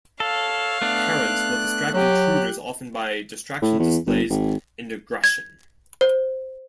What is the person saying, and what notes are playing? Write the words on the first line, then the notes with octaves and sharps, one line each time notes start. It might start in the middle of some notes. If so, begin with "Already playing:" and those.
Parents will distract intruders often by distraction displays and aggression.
A4 C#5 F5
A3 B3 D4 F#6
F#3 G4 F#6
A2
E2
G1
G#1
G#6
C5